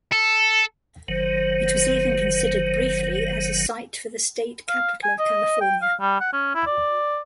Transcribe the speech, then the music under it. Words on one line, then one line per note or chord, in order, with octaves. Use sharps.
It was even considered briefly as a site for the state capitol of California.
A4
F#1 D#3 F#3 C5
F5
G#5
D#5
G5
F5
G3
F#5
C#4
E4
D5